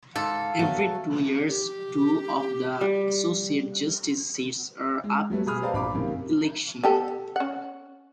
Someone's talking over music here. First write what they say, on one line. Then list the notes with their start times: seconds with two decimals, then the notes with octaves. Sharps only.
Every two years, two of the associate justice seats are up for election.
0.16 G#2 A4 F5
0.59 F#3 A3 B3
1.47 G4
2.81 G3
5.04 G#3
5.30 F#3 G3 A3 B3
5.46 B2 G#4 B5 D#6 F6
5.61 G#4 B4 C5 D5 F5 A#5
5.73 A#1 F5 B5 D6
5.94 F#2 C3 D#3 A#3
6.83 B3 G4 A4
7.36 C#4 F#5